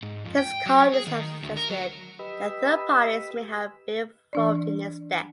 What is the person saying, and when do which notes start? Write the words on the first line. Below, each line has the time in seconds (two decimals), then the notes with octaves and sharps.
His colleagues have suggested that third parties may have been involved in his death.
0.03 G#2
0.26 F2
0.38 G5
0.66 F#3
0.94 G#4
1.07 D#3
1.43 D2
1.56 A#4
1.70 F#3
2.19 G4 B4 D#5 B5 E6
4.33 E3 D4 D5